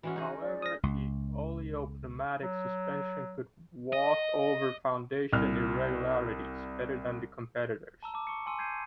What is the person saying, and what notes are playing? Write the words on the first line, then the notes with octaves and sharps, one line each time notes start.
However, the oleo-pneumatic suspension could "waft over foundation irregularities" better than the competitors.
E3 G#3 C#4 F#4
D#4 G#4
D5
D#6 A#6
C#2
F#3
D#5
C2 F6
A5 A#5 E6
A5 D6
C#6 C#7
G#5 C6 E6 D#7
G6 G#6 C7 D#7